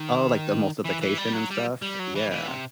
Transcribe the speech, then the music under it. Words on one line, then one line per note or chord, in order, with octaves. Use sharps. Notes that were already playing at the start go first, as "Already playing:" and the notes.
Oh, like the emulsification and stuff, yeah.
Already playing: D#3
E3
E3
G3
F#3
G3
G3
F#3
E3
E3
C3